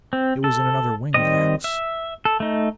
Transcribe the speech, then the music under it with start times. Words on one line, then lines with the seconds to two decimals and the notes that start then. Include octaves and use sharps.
It was in another wing of the house.
0.13 C4
0.44 A4
1.14 D#3 G3 C4 D#5
1.64 E5
2.25 A4
2.40 A3 D#4